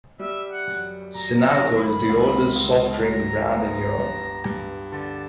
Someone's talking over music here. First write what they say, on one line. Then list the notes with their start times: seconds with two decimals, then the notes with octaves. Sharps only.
Sinalco is the oldest soft drink brand in Europe.
0.19 G3 E5
0.52 F#5
0.67 F#2
1.15 F#2 A#5
1.46 A#5
1.62 D#3
1.78 B5
2.09 C#2
2.56 C#2
3.03 F#3 A#5
3.51 B3 A#5
3.98 G2
4.45 G2
4.92 D3 A5